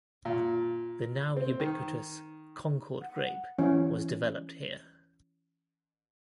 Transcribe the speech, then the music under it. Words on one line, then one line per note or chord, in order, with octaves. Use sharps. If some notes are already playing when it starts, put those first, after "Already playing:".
The now-ubiquitous Concord grape was developed here.
A#2
C4
D#3
F#5
E3 C#4